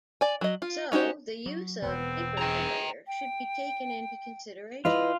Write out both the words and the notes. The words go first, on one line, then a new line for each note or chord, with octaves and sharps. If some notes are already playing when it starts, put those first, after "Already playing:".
So, the use of vapor barrier should be taken into consideration.
D5 G#5
F#3 D#5
F4
C#4 D#4 F#4 G4 C5
F#3
E1 B2 B3 C4
G#4 G5 A#5
G5
E4 F4 B4 D#5